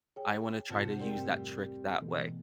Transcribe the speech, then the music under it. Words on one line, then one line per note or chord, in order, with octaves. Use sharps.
I wanna try to use that trick that way."
G#4 C#5 G5
F1 G#2 F4 C5 F#5 A5
G3 A3 C4 G4 A#4
B2 E3 A3